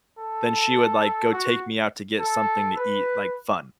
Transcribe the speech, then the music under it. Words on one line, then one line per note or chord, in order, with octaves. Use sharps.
then she would, like, go take me out to get something to eat, like, fun,
A4
F#4
A4
B4